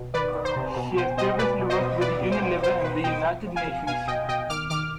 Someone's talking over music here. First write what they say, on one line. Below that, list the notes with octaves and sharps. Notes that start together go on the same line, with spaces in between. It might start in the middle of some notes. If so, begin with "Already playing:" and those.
She has previously worked with Unilever and the United Nations.
Already playing: B2
D#3 B4 D5
D#3
C5
C3
B2
B2 C5
B2 C5 D#5
B2 B4 D5
B2
C5 D#5
B2
B2 B4 D5
B2
C5
B2
B2 C5
B2 B4
B2 D#5 G5
F3
F3
F5 G#5
C3
B2 F5 G#5
B2 D#5 G5
B2 D#5 G5
D#3 D6 F6
D#3 D6 F6